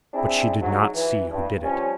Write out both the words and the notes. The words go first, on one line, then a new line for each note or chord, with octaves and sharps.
But she did not see who did it.
C4 D4 E4 G#4
G#2 F#3
E3
G2
F3 G3 C#4